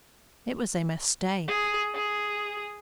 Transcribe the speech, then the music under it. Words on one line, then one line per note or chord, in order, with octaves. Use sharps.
It was a mistake.
G#4
G#4